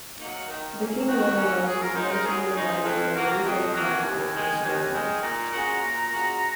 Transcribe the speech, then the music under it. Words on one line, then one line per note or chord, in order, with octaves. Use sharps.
The King Luernios was mentioned in writing by the Greek ethnographer Posidonius.
F#3 A#3 D#4 F#4
D#3
F#3 A#3 C#4
D#3 F#4
F#3 A#3 C#4
F#2 G#4
A#4
C#3 G#3 D#4 C5
A#4
F#2 G#4
G#4
C#3 G#3 D#4 G#4
C5
F2
C3 F#3 A#3
F2 D#5
D#5
C3 F#3 A#3 F#5
F#5
G#5
D#2
D#3 G#3
D#2
D#3 G#3
A#2 A#5
G#3 C#4 F#4
A#2
G#3 C#4 F#4